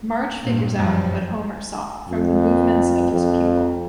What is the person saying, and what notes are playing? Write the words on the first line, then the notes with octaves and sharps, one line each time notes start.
Marge figures out what Homer saw from the movements of his pupil.
G2 A#2
F#2 F3 G3
F2
F2